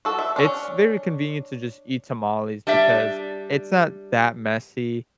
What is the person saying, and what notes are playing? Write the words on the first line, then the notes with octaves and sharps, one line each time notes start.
It's very convenient to just eat tamales because it's not that messy.
F#4 A4
E5
C#4 D4
G3 D4 D5 E5